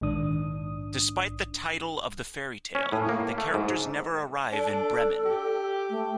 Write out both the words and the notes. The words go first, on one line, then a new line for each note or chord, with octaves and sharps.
Despite the title of the fairy tale, the characters never arrive in Bremen.
A#1 G#2 D#3 D4 D#6
C#4
A2
A#3
A3
G#2
D4 A4
G4
A3